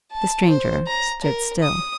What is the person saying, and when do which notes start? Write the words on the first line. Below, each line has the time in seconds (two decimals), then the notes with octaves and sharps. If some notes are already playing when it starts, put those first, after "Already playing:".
The stranger stood still.
0.12 A5
0.49 C5
0.87 A#5
1.24 A#4
1.63 D#6